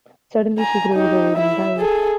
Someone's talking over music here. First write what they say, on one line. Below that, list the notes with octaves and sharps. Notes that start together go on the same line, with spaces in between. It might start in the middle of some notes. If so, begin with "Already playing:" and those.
Suddenly she grows old and dies.
G#5 A#5
D#4 G4
E4 E5
G#4 A4